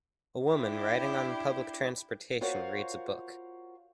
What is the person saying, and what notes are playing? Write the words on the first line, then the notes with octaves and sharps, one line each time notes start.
A woman, riding on public transportation, reads a book.
D4 E4 G4
F4 F#4 A#4 C5 C#5 F5